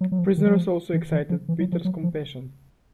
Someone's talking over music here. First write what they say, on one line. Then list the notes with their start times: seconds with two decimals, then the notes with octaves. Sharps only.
Prisoners also excited Peter's compassion.
0.01 F#3
0.12 F#3
0.19 F3
0.37 D#3
0.46 F#3
0.57 F3
0.93 E3
1.12 E3
1.30 F3
1.49 E3
1.60 F#3
1.72 F3
1.85 F#3
2.03 F3